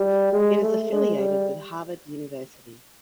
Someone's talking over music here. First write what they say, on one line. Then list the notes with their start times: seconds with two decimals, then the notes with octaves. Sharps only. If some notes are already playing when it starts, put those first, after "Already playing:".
It is affiliated with Harvard University.
Already playing: G3
0.33 G#3
0.62 A3
0.90 G#3
1.18 G3